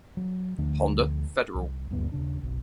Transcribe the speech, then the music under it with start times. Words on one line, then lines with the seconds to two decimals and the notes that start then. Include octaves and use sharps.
Honda Federal.
0.17 F#3
0.58 D2 D3 F3 A3
1.55 C2
1.90 D#1 D2 G2 B3
2.12 D#1 G#1 C#3 D4
2.43 F#1 B1